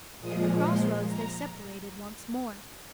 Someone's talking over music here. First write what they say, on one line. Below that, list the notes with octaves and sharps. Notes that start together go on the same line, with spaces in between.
At the cross roads they separated once more.
A#2 F3 G#3 D#6
C6
A#5